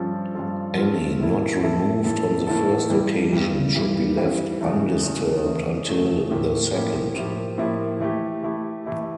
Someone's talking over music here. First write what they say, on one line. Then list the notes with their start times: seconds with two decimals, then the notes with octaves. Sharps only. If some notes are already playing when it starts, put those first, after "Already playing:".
Any not removed on the first occasion should be left undisturbed until the second.
Already playing: G2 F3 C#4 F4 A4
0.35 G2 F3 C#4 F4 A4
0.77 G2 F3 C#4 F4 A4
1.20 A2 E3 A#3 E4 A4
1.63 A2 E3 A#3 E4 A4
2.05 A2 E3 A#3 E4 A4
2.47 A2 E3 A#3 E4 A4
2.90 G2 E3 G3
3.32 G2 E3 G3
3.75 G2 E3 G3
4.17 G2 E3 G3
4.60 E2 C#3 E3 A3
5.02 E2 C#3 E3 A3
5.45 E2 C#3 E3 A3
5.87 E2 C#3 E3 A3
6.30 A2 F3 A#3 E4 G4
6.72 A2 F3 A#3 E4 G4
7.15 A2 F3 A#3 E4 G4
7.58 A2 F3 A#3 E4 G4
8.00 E3 A3 E4 G4
8.43 E3 A3 E4 G4
8.85 E3 A3 E4 G4